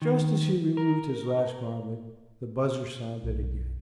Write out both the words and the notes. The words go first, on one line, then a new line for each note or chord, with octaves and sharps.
Just as he removed his last garment, the buzzer sounded again.
D#3
A#4
B1